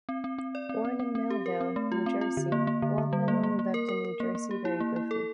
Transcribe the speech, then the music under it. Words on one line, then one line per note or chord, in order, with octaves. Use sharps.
Born in Millville, New Jersey, Waldman only lived in New Jersey very briefly.
C4
C4
C4
D5
C4
C4
C4
C4
G4
A#4
C4
A3
F4
C4
F4
D3
A#3
A#3
D3
D3
G3
A#3
A#3
A#3
A#4
A#4
A#4
A#3
A#3
G4
E4
A#3
E4
A4